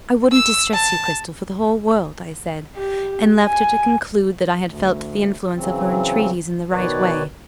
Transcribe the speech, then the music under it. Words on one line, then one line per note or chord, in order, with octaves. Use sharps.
"I wouldn't distress you, Cristel, for the whole world," I said--and left her to conclude that I had felt the influence of her entreaties in the right way.
E6
A5
G4
G#5
D2
C#3 E3 F#3 C4
B2 D#3 B4 C#5 D5